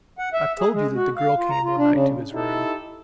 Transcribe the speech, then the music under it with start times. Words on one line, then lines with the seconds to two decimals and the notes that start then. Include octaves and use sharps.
I have told you that the girl came one night to his room.
0.19 F#5
0.33 E5
0.59 G#4
0.74 G#3
0.95 F#4
1.17 F5
1.38 F4
1.50 A#5
1.64 F4
1.78 D4
1.91 C#3
2.32 D#4 E4 G4 A4